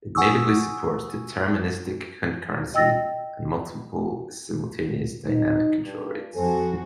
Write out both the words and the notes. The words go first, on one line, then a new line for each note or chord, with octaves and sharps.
It natively supports deterministic concurrency and multiple, simultaneous, dynamic control rates.
F#5 G#5 C#6 D#6 E6
D#5 G5 E6 A6 A#6
D#4
G2
F2 F3 F#4 A4 C5 G#5